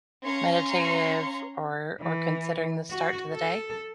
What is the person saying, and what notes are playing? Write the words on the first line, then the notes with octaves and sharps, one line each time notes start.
meditative, or or considering the start to the day?
C#4 F5 A#5 C6 G#6 C#7
E3
F#4
A4